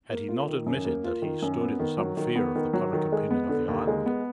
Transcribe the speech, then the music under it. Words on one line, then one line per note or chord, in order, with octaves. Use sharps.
Had he not admitted that he stood in some fear of the public opinion of the island?
A#3
F4
D#3
F#2
A#3
F4
D#3
F#2
B3
D#3
F#3
D#3
B3
D#3
F#3
D#3
G#3
B3
D3
D#2
G#3
B3